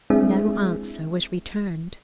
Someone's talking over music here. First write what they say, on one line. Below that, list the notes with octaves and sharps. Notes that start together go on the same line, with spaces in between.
No answer was returned.
G#3 C4 D4 E4 G#4 E5